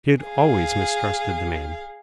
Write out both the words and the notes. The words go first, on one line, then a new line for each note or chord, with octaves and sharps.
She had always mistrusted the man.
G#4 F5